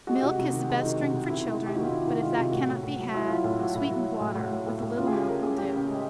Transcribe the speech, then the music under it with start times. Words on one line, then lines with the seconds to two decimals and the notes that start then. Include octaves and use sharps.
Milk is the best drink for children, but if that cannot be had, sweetened water, with a little milk, will do.
0.07 G#3 F#4
0.16 G4
0.23 C3 F#4
0.39 C3
0.53 D#3
0.70 G#3
0.85 D#3
1.00 C3
1.14 C3
1.30 C3 E4
1.46 D#3
1.61 C3
1.66 G4
1.75 D#3 F#4
1.83 F4
1.91 C3 E4
2.07 D#3
2.21 G#3 F4
2.37 C3
2.52 A2 F#4
2.68 A2
2.83 A2
2.98 F#3
3.14 F#3 E4
3.29 F#3 F4
3.44 A2 F4
3.59 F#3 F#4
3.74 A2 E4
3.91 F#3
4.05 F#3
4.21 A2
4.35 A2
4.52 A2
4.66 A2
4.82 A2
4.97 C#3 F4
5.07 G#4
5.13 C#3 G4
5.28 C#3 A#4
5.43 C#3 G#4
5.58 C#3 G4
5.73 C#3
5.89 G#3